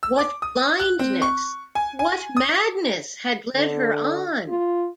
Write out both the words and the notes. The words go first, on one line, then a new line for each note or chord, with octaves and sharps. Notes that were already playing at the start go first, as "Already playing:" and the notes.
What blindness, what madness, had led her on!
E6
D6
D#6
F#6
C4
C#6
G#5
G#5
D#6
D3
F4